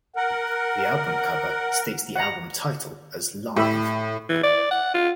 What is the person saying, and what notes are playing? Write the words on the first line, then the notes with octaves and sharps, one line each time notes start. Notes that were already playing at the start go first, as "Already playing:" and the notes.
The album cover states the album title as Live!
A#4 F#5
F#5 A#5
A2 G4 E5 B5
E3
D5
F#5
F4